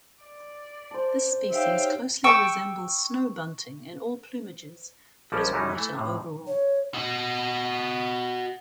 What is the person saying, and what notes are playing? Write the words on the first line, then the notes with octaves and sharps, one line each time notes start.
This species closely resembles snow bunting in all plumages, but is whiter overall.
D5
C5 A5
D#4 G4 C#5 E5 F5 G5
G5 C#6 D6 E6
A#1 F3 G3 C#4 D5 A5
F#2 C#3 F#3 G3 D#4 E4
E3 A3
A2 C3
C#5
F#4 D#5